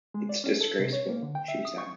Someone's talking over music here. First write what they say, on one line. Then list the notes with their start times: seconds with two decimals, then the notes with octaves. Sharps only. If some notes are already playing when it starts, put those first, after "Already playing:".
"It's disgraceful," she said.
0.14 G#3
0.29 D5
0.44 C#4
0.61 A4
0.79 C3
0.93 C#5
1.09 A#3
1.22 D3
1.35 G5
1.48 E5
1.65 D#6
1.78 C#6